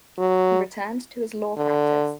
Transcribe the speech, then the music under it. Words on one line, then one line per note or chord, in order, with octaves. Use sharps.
He returned to his law practice.
F#3
D3